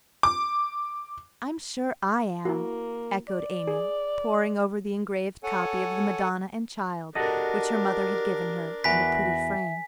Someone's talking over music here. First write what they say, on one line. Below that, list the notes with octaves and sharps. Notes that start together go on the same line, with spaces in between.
"I'm sure I am," echoed Amy, poring over the engraved copy of the Madonna and Child, which her mother had given her in a pretty frame.
D6
A#3 E4 F#4
D5
G#4
A4 C#5 F#5 G#5
D4 F#4 G4 A4 A#4 D#5
E2 F#4 B4 E5 G#5 B6